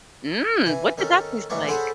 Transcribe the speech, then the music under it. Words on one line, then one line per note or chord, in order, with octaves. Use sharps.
Mm! What did that taste like?
E3 G#5
D#3 C#4 A4
A1 G#2 E3 D4 C#5
G#4 A4 C5 C#5 F#5 B5